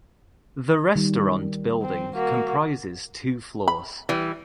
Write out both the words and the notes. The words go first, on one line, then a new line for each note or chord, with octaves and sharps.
The restaurant building comprises two floors.
D#3 G3
C4
A#3 F#4
B5
E3 G3